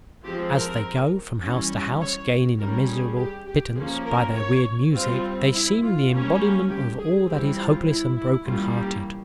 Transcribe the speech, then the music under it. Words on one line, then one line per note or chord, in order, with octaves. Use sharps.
As they go from house to house, gaining a miserable pittance by their weird music, they seem the embodiment of all that is hopeless and broken-hearted.
F3 G#3 C4 G4
A#4
E3 G3 C#4
C#5
G3 C#4 A#4
G#4
G4
G4
F3 A#3 C#4 G#4
A#4
C#5
G3 C4 F4
E4
F4
G3 A#3 C#4
G4
G4
G#4
E3 G3 C4 G4
F4
E4
E4
E3 G3 A#3 C#4 F4
G4